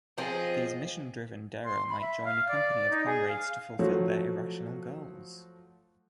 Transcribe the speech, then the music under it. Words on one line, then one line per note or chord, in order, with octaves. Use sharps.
These mission-driven derro might join a company of comrades to fulfill their irrational goals.
F3 C4 G#4 D#5
C6
B5
E5
F5
D5
D#4
G#4
F5
F3 F#3 A3 F#4